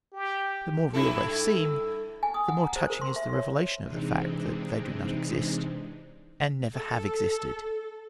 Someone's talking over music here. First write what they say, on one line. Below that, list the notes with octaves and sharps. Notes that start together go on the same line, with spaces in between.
The more real they seem, the more touching is the revelation of the fact that they do not exist, and never have existed.
G4
G2 E4 A4
G#5
D#6
F#5
A#5
C5
A#4
C6
E5
C#5
C3 E3 G#3 C4 D4 D#4
A4